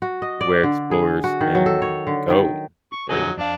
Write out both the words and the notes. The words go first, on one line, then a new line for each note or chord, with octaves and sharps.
where explorers can go becau
F#4
D#5
D5
D3
G#4
F#4
D#3
F#3
A4
C#5
D3
D#3
C#6
F2 D3 F#3 G#4 D#5
F2 D4 F5